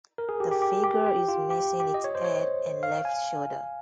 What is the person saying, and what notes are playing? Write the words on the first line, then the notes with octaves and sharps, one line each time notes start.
The figure is missing its head and left shoulder.
A#4
G#4
G4
G4
G4
G4
G4
F4
G4
G4
D#5
C#5
C5
C#5
F5
G#5